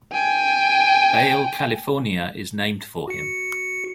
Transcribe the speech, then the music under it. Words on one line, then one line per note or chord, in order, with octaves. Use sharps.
Bale, California is named for him.
G5 G#5
F#4 C#7